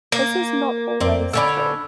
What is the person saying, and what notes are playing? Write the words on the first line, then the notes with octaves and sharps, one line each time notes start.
This is not always true.
A#3
F2 C4 D5
D3 C#4 D5 B5 E6